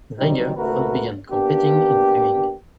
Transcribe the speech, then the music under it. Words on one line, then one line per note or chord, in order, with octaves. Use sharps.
Zeiger first began competing in swimming.
C2 B2 F#3 G3 C4 D#4
G#1 C#2 A3 F#4 A#4 B4
A#3 B3 D4 G4